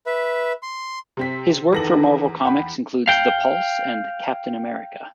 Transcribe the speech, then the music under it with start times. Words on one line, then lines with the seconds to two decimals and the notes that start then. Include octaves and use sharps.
His work for Marvel Comics includes "The Pulse" and "Captain America".
0.06 B4 E5
0.63 C6
1.17 C3 C4 B6
1.73 E2 D#3 A4 B4 A#6 F#7
2.45 F#5 G5 B5
3.08 F5 G5